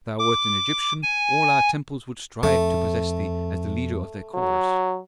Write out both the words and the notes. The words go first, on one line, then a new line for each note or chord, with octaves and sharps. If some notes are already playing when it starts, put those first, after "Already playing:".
If thou wert an Egyptian, all our temples would strive to possess thee as the leader of their chorus.
D6
G#5
F2 A3
F#3